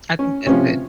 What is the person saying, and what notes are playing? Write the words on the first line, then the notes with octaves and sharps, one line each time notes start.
I think that's good.
C#4
C3 F3 C#4